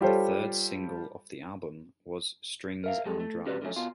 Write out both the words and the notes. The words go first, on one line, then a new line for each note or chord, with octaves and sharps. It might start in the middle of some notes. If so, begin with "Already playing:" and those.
The third single off the album was "Strings and Drums".
G3 F4 G4 A4 C5 C#5
A#4 E5 F5
F#3 G#3 G4 A4
A3
C#4 F#4 G4 B4 D5
D3 F3 F#3 A3 C#4
B2 F4